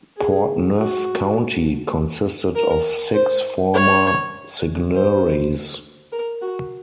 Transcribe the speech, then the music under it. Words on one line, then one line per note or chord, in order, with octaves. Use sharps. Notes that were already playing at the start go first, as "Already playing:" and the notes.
Portneuf County consisted of six former seigneuries.
G#4
F#4
A#4
C5
C#5
C5
A#4
F#4